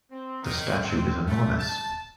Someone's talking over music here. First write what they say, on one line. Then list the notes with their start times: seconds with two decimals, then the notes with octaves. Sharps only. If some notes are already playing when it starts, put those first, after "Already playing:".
The statue is enormous.
0.11 C4
0.43 D#3
0.84 C4
1.26 A3
1.58 A5